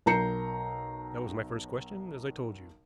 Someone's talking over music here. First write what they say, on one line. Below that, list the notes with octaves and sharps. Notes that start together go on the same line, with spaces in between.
That was my first question, as I told you.
B1 A#4 A#5 G6 C7 C#7